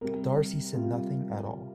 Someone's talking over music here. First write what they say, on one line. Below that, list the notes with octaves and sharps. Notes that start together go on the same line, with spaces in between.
Darcy said nothing at all.
C3 G3 A#4
C3 G3 F4